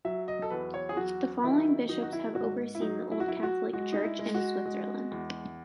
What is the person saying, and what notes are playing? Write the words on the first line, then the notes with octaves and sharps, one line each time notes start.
The following bishops have overseen the Old Catholic Church in Switzerland.
F#3 E5
D#5
A4
E2 B4
C#5
G#4
F#3 F#4
D#3 E4
F#3 D#4
F#4
E4
G#2 F#4
E4
F#3 D#4
E4
F#4
F#3 E4
E4
F#4
G#3 F#4
D#4
E4
G#3
F#4
G#3
E2